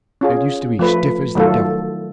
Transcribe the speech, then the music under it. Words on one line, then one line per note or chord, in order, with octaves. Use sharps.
It used to be stiff as the devil.
C#4 F4 G#4
F3 A3 B4
D#3 F#3 A3 F4 A4